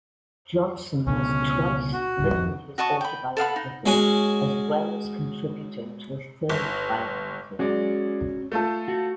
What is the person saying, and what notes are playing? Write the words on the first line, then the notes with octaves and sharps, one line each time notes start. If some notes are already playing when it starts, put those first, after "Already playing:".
Johnson has twice written his autobiography as well as contributing to a third biography.
C#2 B2 D3 C#4
F#4
D1 G3
F2
F#4 D#5 A5 C#6
G5 B5
A4 F5 F#5 B5
D#4
G#3 C#4 F#4 G#5
G1
G#3 C#4 F#4 D5
A3 F4 A4
F#4